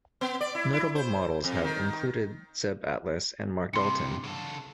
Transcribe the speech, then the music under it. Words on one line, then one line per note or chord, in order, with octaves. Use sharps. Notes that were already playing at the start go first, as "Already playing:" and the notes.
Notable models have included Zeb Atlas and Mark Dalton.
B3
D5
E4
E4
C5
F2
D#3
G2 C3 C6 C#7
C#3 A4